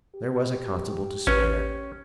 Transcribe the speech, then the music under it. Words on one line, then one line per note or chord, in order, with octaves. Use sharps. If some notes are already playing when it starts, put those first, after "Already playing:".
There was a constable to spare.
G4
A1 C#4 B4